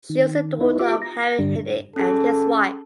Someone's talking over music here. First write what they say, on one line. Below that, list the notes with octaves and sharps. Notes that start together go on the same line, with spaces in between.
She was the daughter of Harry Henig and his wife.
D#3
B3 D#4 E4 B4
F4 G4 E5 D6
A#5
G2 D3 G3 D4
C#4 G#4 A4